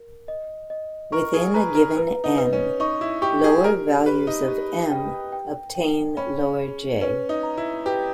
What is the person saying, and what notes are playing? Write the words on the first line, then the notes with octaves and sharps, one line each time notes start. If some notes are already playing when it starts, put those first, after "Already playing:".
Within a given "n", lower values of "m" obtain lower "j".
Already playing: A#4
D#5
D#5
A#4 C#6
G#4
B4 A#5
A#4
B4
D#4
B4
C#4
D#4 C#6
E4
G4 C#6
G#4
G4 A#4
G4 B4
D#4
G4
G5
G5
G5
C#4 B5
G#4
C#4 B4
D#4
A#5
E4
G4 B4